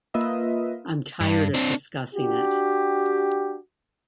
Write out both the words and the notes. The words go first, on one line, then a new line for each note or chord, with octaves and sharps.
I'm tired of discussing it.
A#3 F4 B4 D#5 E5
G2
C4 D4
D4 F#4 G4